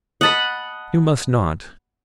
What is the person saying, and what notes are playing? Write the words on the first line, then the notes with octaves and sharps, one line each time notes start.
You must not.
D#5 F#5 A5 B5